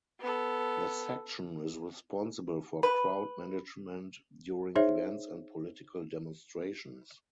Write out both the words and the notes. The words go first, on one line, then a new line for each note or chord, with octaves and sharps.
The Section is responsible for crowd management during events and political demonstrations.
B3 A4
B4
D#4 G#4 C5 C#5 E5